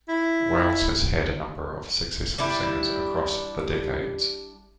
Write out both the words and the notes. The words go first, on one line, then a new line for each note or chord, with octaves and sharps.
Wales has had a number of successful singers across the decades.
E4
G3 D4 E4